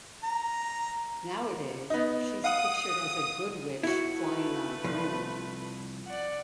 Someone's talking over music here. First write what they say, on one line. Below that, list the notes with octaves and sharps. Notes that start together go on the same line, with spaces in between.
Nowadays she's pictured as a good witch flying on a broom.
A#5
B3 D#4
F5 F#5 D#6
E4 F#4
A3 B4
C2 F3
D5 F#5